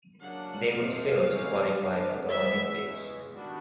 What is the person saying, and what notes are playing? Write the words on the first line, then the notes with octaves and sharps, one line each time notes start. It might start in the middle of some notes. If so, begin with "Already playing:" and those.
They would fail to qualify for the Olympics.
C#3 F#3 A#3 D4 F#5
F2 C3 F3 G#3 C4 F5
C3 E3 G3 A#3 C#4
C#3 F#3 B3 D4
E3 G#3 B3 E5
E2 C#3 E3 G#3
D#3 G3 B3 D4 F#4